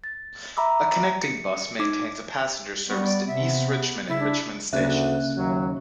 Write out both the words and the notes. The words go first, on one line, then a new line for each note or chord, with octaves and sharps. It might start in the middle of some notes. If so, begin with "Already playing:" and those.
A connecting bus maintains a passenger service to East Richmond and Richmond stations.
A6
E5 A#5 B5 D6 E6
C#7
D#4 D6
G3 B3 C#6
D5
C3 B3 E5
C#3 E4
D4
D2 C#3 A#3 E5 F#6
D#2 F#3